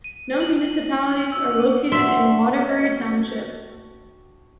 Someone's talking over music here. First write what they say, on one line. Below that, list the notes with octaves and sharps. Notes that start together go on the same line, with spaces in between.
No municipalities are located in Waterbury Township.
D#7
F#7
E6
D4 F#4 E5 G5 C6
D#5